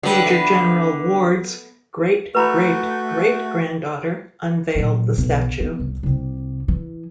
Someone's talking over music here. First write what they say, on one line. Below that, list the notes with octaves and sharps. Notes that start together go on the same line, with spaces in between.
Major General Ward's great-great-great-granddaughter unveiled the statue.
D3 F#3 G3 B4
A3 B3
A3 F#4 B4 A#5 B5
A#2 F#3
B1 B2
B3
C2
C2 C3
E3